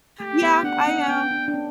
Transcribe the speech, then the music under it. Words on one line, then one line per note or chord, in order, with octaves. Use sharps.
Yeah, I am.
A3 G4
B3
D4 F#5
C#4
B3 G5
D4
D4
C#4